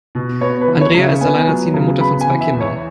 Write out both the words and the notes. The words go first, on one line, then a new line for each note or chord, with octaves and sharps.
Andrea ist alleinerziehende Mutter von zwei Kindern.
B2
B3 C#5
B4
E3
C#5
C#3
E5
B3 G#5
F#3
C#3
B3 B5
G#5
E3
E5
E2
C#5